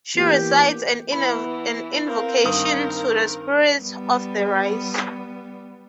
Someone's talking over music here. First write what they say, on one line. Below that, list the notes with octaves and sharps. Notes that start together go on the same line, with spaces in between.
She recites an invocation to the spirits of the rice.
E3 A#3 B3 G4
E3 B3 B5
C4 A#4 F5
G2 D#3 D#6
G3 B3